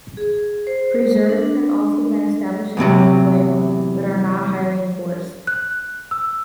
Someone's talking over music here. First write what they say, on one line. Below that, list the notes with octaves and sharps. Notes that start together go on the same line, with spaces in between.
Preserves have also been established in Paraguay, but are not highly enforced.
G#4
C5
D4
E2 A2 C3 F#3
F#6
E6